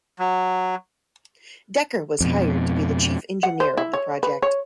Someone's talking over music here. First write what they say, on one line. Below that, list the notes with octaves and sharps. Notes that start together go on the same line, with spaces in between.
Decker was hired to be the chief engineer of the project.
F#3
F2 B2
F#5
C5
E4
C#5
B4
C#5